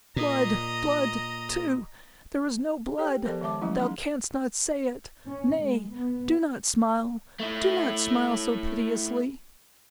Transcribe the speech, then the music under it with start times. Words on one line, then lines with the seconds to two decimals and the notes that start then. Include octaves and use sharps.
Blood--blood too!--There was no blood--thou canst not say it!--Nay, do not smile,--do not smile so piteously!'
0.16 A#2 D#5 A#5
2.98 G4 A4 C#5 G5
3.25 F3 B3 G4 A4 A#4 C5
3.41 D#3 G#3 E5 A5 D6
3.62 F3 F#3 G#3 A3 C#4 E4
3.80 A3 C#4 D#4 G#4
5.27 C#4
5.59 G#3
5.92 B3
7.39 A3 E4